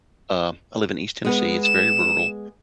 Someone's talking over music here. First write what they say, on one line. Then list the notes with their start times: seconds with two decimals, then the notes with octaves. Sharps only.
um, I live in East Tennessee, it's very rural
1.25 G#3 B3 B4
1.63 E7